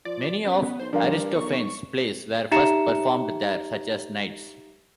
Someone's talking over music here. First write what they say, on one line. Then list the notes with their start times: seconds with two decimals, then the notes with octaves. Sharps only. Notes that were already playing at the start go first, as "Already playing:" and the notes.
Many of Aristophanes' plays were first performed there, such as 'Knights'.
0.05 F3 D5
0.45 F#2 B3
0.79 B1 C5
0.93 G2 F3 D4 A#4 F5
1.34 B1 C#6
2.52 D#4 G4 E5 A#5 C#7 E7